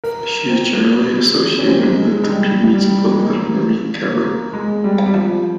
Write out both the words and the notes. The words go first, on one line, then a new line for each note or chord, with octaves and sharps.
She is generally associated with the Piwnica pod Baranami cabaret.
A#4
C4
C#4
C4
A#3
G#3
G#3
G3
G3
G#3
A#3
A#3
G#3
G3
G3
F3